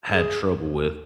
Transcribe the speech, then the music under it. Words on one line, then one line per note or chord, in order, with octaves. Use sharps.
had trouble with,
G#4